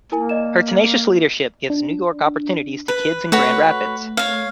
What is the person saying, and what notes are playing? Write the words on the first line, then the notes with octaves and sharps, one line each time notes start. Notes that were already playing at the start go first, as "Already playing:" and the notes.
Her tenacious leadership gives New York opportunities to kids in Grand Rapids.
A#3 E4 A#4 G#5
D5 D#5 E7
D4
B4
A3 F#4 B4 C#5
C#5 F5